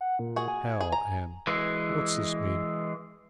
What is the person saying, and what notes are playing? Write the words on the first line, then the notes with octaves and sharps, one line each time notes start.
"Hell and--What's this mean?"
F#5
A#2
F#4 G#4
G#5
G#4
A#5
E3 G#3